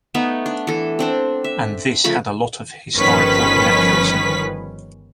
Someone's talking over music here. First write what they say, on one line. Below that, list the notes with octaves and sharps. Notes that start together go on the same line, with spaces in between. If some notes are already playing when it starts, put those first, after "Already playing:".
And this had a lot of historical inaccuracy.
A3 B3 D#4 E5
D4
E3 A4
C4 D4 C5
E5
C#3 F3 A3 B5
G1 D#3 F3 C#4 B4 B6